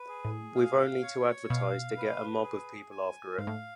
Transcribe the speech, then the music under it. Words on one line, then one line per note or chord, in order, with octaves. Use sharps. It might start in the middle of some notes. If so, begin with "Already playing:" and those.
We've only to advertise, to get a mob of people after it.
Already playing: B4
G#4
A2
F5
C#5
B2 F5
B4
G#4
G#5
G#2 F5
A2